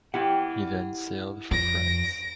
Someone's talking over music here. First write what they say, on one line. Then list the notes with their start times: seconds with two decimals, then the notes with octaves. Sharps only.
He then sailed for France.
0.14 E4 G4 F#5
1.51 F2 A#6 D7